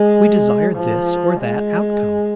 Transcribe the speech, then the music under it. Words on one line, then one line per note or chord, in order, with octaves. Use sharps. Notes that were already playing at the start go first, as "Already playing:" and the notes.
We desire this or that outcome.
Already playing: G#3
F3
G#3